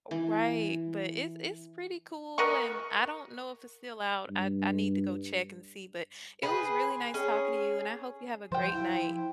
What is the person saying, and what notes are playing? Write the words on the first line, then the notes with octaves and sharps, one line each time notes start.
Oh, right, but it's it's pretty cool, and I don't know if it's still out, I I need to go check and see, but it was really nice talking to you, and I hope you have a great night.
E3
A#4 D#5 F#5 C#6
G2
G#4 B4 C5
C#4 G#4
F3 C5 G5
E4